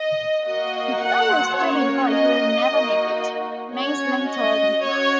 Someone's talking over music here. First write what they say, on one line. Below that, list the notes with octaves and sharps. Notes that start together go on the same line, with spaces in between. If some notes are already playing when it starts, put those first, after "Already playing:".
"You're a stupid boy who will never make it," Meisling told him.
Already playing: D#5
A#3 F#4 D#5
F#5
A#3 C#4 F#4 C#5
D#5
A#3 D#4 F#4
C#4 F#4 C#5
D#5
C#4 F#4 C#5